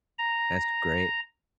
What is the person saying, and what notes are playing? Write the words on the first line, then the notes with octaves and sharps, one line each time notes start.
That's great.
A#5